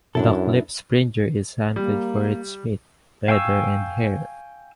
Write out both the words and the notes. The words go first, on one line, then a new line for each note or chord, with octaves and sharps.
The klipspringer is hunted for its meat, leather and hair.
F#2 D4 E4 A4
G3 A#3
F5 G5 G#5 C#6 E6